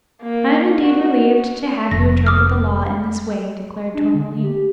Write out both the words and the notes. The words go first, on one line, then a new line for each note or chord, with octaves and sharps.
"I am indeed relieved to have you interpret the Law in this way," declared Tourmaline.
A#3
F#4
F1 A#6
D6 D#6 F6
D4
D3
G4